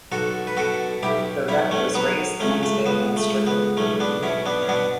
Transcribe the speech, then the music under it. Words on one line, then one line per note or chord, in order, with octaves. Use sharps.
The wreck was raised the next day and stricken.
B1 F#4 A4
B4
B2 F#4 A4
B1 E4 G4
B1 C#4 E4
A3 C#4
F#3 B3
C#2 A3 C#4
A3
C#2 B3
A3
C#2
B3
B1 A3 C#4
B3 D4
B2 C#4 E4
B3 D4
C#4
B2 B3 D4